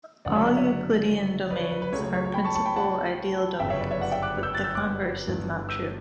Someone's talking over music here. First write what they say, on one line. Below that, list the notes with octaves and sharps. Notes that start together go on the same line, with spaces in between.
All Euclidean domains are principal ideal domains, but the converse is not true.
F#1 F#2 D3 F#3 C#4 D5 F#5
C#5 E5
D5 F#5
C#5 E5
D5 F#5
B4 D5
C#5
B4
B4
C#2 C#3 F#3 A3 C#5
C#5
C#5
C#5
G5 B5
A5 C#6
A5 C#6
G5 B5
F#5 A5
G1 F#2 C#3 E5 G5
C#5 E5
B4 D5
C#5 E5
D5 F#5
E5 G5
D6 F#6
E6 G6
F#6 A6
E6 G6
D6 F#6
G1 G2 E3
E6 G6